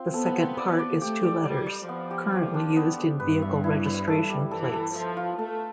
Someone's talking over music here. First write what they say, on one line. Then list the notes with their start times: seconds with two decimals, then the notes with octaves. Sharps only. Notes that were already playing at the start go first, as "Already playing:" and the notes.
The second part is two letters, currently used in vehicle registration plates.
Already playing: C4 F4
0.13 B3 A4
0.36 C4
0.57 D5
0.79 D5
1.01 A3 G4
1.23 D5
1.45 G3 D5
1.66 D5
1.89 F3 B3
2.11 G4
2.32 G4
2.54 D4
2.76 B3
2.99 B3
3.20 G2 B4
3.42 E5
3.64 E4
3.86 B4
4.07 A4
4.30 G3
4.51 E3 A4
4.73 A4
4.95 F3 E5
5.17 F4
5.39 A3 A4